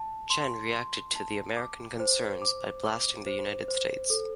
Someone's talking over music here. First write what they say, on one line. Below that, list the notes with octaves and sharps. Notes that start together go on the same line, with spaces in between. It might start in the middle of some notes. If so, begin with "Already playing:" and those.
Chen reacted to the American concerns by blasting the United States.
Already playing: A5
C6
C6
A5
D6
C5
D6
D6
C5
C5
A4